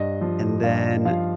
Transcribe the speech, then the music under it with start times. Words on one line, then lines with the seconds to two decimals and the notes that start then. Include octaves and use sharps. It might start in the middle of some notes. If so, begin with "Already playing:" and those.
And then,
Already playing: G2 D#5
0.21 F3
0.63 G2 F5
1.05 F3 F5